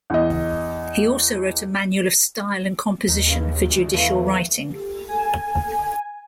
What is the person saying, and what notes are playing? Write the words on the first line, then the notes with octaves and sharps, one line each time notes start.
He also wrote a manual of style and composition for judicial writing.
E2 D#5
D#2 D#4
G2 C#3
D2
E2 F3 A3 B3
G#5